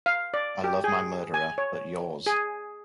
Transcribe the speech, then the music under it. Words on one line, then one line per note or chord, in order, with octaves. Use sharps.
I love my murderer — but yours!
F5
D5
G4
G#4
G#5
C#5
G#4